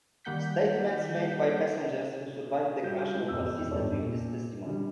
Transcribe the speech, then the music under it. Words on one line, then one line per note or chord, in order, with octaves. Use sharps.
Statements made by passengers who survived the crash were consistent with this testimony.
D#3 G3 A#3 F#5 G6 B6
G3 F#4 G6
G#3 E4
E1 F2 E6
E1 G2 G3 A4 C#5 D5
A#2
D3 G3